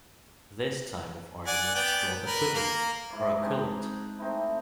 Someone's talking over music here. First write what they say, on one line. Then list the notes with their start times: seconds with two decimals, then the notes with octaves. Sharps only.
This type of argument is called a "quibble" or "quillet".
1.47 D5 F#5 G#5
1.75 B3 D5 G5
2.27 A#4 B4
2.55 A#3 A#4
3.10 G#2 E4 D5
3.42 C4 D4 D#4 G#4
4.19 A3 C4 D#4 E4